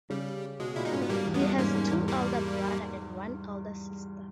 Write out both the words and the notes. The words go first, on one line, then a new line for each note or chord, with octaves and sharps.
He has two elder brother and one elder sister.
C#3 G3
B2 G#3
A#2 E4
D#4
G#2 C#4
B3
G2 G3 A#3
E2
G#3 B3
G2
G#2 A#3 C#4
G#2
E2
G3 A#3